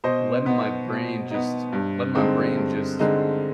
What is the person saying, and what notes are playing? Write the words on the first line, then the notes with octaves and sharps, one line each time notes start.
Letting my brain just letting my brain just
B2 C5 D#5
B3 D#4
B2
B3 D#4
G2
D3 G#3 C4 D#4
G2
D3 G#3 C4 D#4